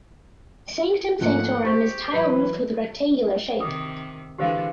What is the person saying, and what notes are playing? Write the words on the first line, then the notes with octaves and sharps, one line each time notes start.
The Sanctum Sanctorum is tile roofed with rectangular shape.
G#2 F3 A3 A#3 F#5
G4 C5 C#6
E3 F#3 B4
C3 D#3 D6 D#6
D3 E3 G#3 G4 C5 F5